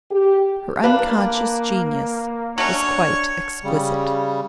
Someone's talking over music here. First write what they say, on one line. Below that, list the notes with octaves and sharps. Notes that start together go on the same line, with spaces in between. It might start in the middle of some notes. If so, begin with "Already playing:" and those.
Her unconscious genius was quite exquisite.
G4
A#3 D4 B4 F5
F#3 A3 C#4 D4 C#5
C#3 G3